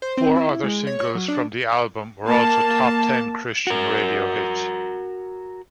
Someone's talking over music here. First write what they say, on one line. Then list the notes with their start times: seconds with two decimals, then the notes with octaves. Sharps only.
Four other singles from the album were also Top Ten Christian radio hits.
0.02 C5
0.17 C4
0.36 E4
0.64 G#3
0.87 C#5
0.99 C#5
1.15 F#3
1.28 D4
2.23 A#3 A5
3.67 F#4 A#4